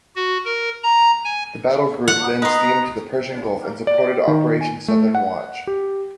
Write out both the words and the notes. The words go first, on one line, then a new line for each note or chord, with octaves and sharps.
The battle group then steamed to the Persian Gulf and supported Operation Southern Watch.
F#4
A#4
A#5
G#5
F#5
B3 D#4 B4 A#5 C6
D5
D#3
G#5
A3
F#5
G4